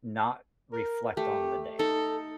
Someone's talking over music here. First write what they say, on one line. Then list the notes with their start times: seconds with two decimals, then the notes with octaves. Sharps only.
not reflect on the day,
0.73 A#4
1.17 A3 G4
1.79 D#4 A4